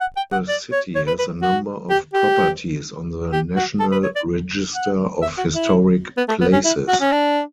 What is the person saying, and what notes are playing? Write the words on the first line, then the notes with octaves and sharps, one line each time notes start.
The city has a number of properties on the National Register of Historic Places.
F#5
G5
F#5
D5
C#5
C#5
B4
B4
F#4
G4
G4
G4
F#4
A4
B4
C#5
D5
F#5
E5
F#4
E4
B3
A3
B3
C#4
E4
F#4
C#4
D4